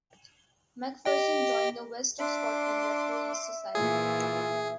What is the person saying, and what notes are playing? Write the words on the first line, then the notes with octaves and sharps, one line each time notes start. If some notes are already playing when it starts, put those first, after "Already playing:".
Macpherson joined the West of Scotland Referees Society.
G4 D#5 G5
D4 E5 C6 D6
A#2 E3 F4 G#4